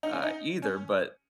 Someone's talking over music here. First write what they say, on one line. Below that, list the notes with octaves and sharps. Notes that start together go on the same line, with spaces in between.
uh, either, but
D#4
C#4
D#4
C#4